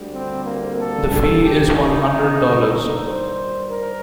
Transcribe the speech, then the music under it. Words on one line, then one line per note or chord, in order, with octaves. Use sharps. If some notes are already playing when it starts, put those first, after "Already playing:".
The fee is one hundred dollars.
Already playing: D2 D3 G3
C4
A#3
A4
A4
G4
D#4
G2 D#3 G3
C5
A#4